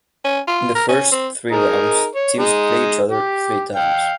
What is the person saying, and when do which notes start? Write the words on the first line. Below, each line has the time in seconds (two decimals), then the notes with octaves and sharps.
In the first three rounds teams play each other three times.
0.25 C#4
0.48 F4
0.75 A#4
0.89 C#4
1.12 C4
1.51 D#4 G#4 A#4
2.15 C#5
2.38 G#3 D#4
3.11 G4
3.76 F5 G5